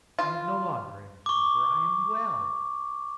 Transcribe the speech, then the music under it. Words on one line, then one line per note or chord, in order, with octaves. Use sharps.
I have no longer any fever; I am well.
F4
C#6 D6